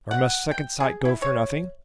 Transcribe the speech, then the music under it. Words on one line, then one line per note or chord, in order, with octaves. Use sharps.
Or must second-sight go for nothing?'
F#5
G5
G#4
E4
C#5